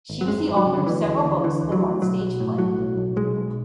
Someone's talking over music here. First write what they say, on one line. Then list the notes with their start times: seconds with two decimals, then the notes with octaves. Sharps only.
She was the author of several books and one stage play.
0.10 G#1
0.21 F#3
0.28 F#2 G#3
0.48 G#1
0.57 F#3
0.66 C#3
0.77 D3
0.86 D2 E3
1.05 D2
1.25 D3
1.44 D3 E3
1.63 D2
1.72 F#3
1.83 D2
2.01 B1 F#3
2.20 B1
2.40 A2
2.58 A2 F#3
2.79 B1
2.97 B1
3.16 B1 G#3
3.35 B1